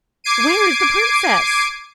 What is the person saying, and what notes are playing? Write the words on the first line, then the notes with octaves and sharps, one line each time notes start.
'Where is the princess?'
D6 G#6 C7 D7 D#7